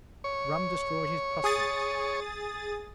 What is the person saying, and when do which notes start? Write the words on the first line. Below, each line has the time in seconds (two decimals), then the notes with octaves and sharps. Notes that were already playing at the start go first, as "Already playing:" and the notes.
Rum destroyed his prospects.
0.24 C#5
1.44 G#4 D#6 A6